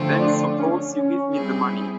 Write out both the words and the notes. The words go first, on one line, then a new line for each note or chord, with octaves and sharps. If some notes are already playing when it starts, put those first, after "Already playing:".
Then suppose you give me the money.
Already playing: D3 F3 A3 C4 F4
D4
C#4
C#4
G3 C4 E4 G#4